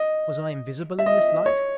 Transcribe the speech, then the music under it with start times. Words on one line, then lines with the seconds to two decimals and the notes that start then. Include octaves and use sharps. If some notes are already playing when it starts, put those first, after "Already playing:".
Was I invisible in this light?
Already playing: D#5
0.99 E5
1.06 D#5
1.46 C#5